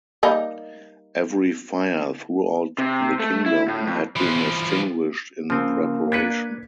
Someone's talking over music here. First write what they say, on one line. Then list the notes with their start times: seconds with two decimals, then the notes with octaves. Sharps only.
Every fire throughout the kingdom had been extinguished in preparation.
0.23 G3 A#3 D#4
2.78 C3
3.19 A3
3.46 E4
3.68 A2
3.87 F2
4.16 E3 F3
5.50 C#3 F3 A#3 C4
6.12 D4 B4 G#6 B6 C#7